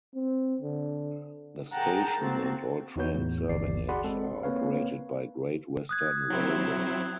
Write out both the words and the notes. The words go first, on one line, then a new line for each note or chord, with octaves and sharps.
The station, and all trains serving it, are operated by Great Western Railway.
C4
D3
G#4 A#4 F#5 G5 A5 A#5
A#3 C4 F#4 A4
E2 D#4 F#4 B4 C#5 G6
E2 A2
G1 D#2 E3 D5 C7
F#4 G#4 D5 F#5 B5 C6
G#3 C4 A4
A#3 C4 B4 C#5 F5
D#6 F#6 G#6
F#3 C4 E4